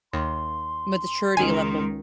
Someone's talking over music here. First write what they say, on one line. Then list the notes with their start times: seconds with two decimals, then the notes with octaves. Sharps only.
Maturity level.
0.13 D#2 C6
1.37 C#2 D#3 G#5